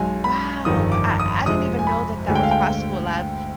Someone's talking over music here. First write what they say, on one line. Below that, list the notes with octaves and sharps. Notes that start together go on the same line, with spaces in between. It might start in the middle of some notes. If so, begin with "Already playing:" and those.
Wow, I I didn't even know that that was possible. I've
Already playing: B1 B2 G#3 G#5
B5
G1 F2 D#3 G3 D#6
D6
D#6
F2 C3 F3 G#3 D#6
G#5
B5
D2 D3 G#3 G#5
G5
F5
G5